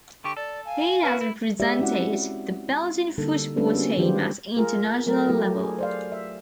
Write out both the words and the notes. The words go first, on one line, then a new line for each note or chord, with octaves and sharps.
He has represented the Belgian football team at international level.
D3 G4 C#6
A4 D5
F5 G#5
C#4 E4 F#4 B4
E4
G#3 G4 D5 E5
G#3 C4 C#4 E4 F#4 F#5
D3 G3 A#3 D#4 A4
G3 A#3 C#4 D4 A4 B4
B3 C#4 D4 F#4 G#4
D#3 F4 G4 B4 C5
F4 G#4 A#4
F#3 A3 A#4
F#3 A3 E4 G4
G#4
C5 D5 F5
E5